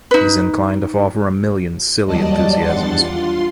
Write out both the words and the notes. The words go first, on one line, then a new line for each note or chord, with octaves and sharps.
He's inclined to fall for a million silly enthusiasms.
D#4 B4
D#2 F#3 G3 D5 D#5 A5
E2 G3 D4 F#5 C6 A6
F4 C6